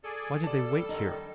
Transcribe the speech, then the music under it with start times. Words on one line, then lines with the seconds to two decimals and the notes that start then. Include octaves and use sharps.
Why did they wait here?
0.04 G#4 A4 D5 G#5
0.44 G3 D5 A5
0.89 D3 D#3 G3 D#4